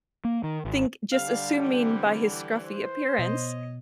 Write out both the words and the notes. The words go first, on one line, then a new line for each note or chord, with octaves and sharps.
think just assuming by his scruffy appearance
A#3
D#3
G#1
D3 G3 G4 F5
E3 C4
C5
B2 C#5 D#5